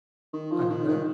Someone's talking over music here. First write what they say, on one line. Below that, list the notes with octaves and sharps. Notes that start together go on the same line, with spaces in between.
"I know that."
D#3
F3
D#3
D#3